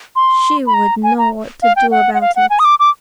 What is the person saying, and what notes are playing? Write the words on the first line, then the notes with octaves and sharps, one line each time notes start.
"She would know what to do about it!"
C6
B5
A#5
G#5
A#5
F5
G5
F#5
F#5
F5
F#5
G#5
D#6
D6
D6